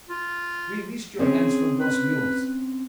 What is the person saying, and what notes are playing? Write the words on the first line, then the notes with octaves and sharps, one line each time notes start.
Release your hands from dose mules.
F4
C4 C#4 G#4 C#5
B4